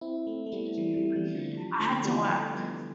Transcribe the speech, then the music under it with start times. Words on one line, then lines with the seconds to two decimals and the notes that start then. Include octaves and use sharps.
I had to work.
0.01 C4 E4
0.27 A3 C4
0.46 A3
0.52 G3 B3
0.77 E3 G3
0.96 E3 G3
1.16 E3 G3
1.35 D3 F3
1.79 D3 F3
2.04 E3 G3
2.30 F3 A3
2.55 G3 B3